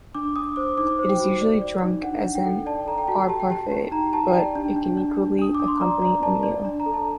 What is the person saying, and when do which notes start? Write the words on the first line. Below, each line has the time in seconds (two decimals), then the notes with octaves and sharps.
It is usually drunk as an aperitif but it can equally accompany a meal.
0.15 D4 D6
0.36 D4 D#6
0.56 C5 D6
0.78 D#4 D6
0.99 C5
1.09 G5
1.20 F#4
1.41 D5
1.62 D5
1.83 D#4
2.03 D4 F#5
2.24 D4
2.35 G5
2.46 A4
2.66 D5 A5
2.87 A4 A#5
2.98 G5
3.07 F#4 A5
3.28 G4 A5
3.40 G5
3.50 G4 A5
3.72 G4
3.91 D#4 A#5
4.13 G4 A5
4.28 G5
4.33 D5 A5
4.55 D4
4.76 D4
4.97 D4
5.18 D4
5.39 D4 D#6
5.55 D6
5.60 D4
5.68 C6
5.81 D5 A#5
6.02 D5 A#5
6.23 D5 A5
6.43 D5
6.65 D4
6.80 A#5
6.86 A4
6.94 A5